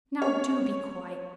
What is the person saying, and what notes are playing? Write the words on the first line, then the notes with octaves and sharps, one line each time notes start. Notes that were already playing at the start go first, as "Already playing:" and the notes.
'Now do be quiet.
C#5